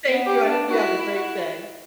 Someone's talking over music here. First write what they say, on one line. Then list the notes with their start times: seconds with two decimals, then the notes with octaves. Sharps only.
thank you, I hope you have a great day.
0.12 B3
0.27 G4
0.42 D4
0.71 E4 F#4
1.16 F#4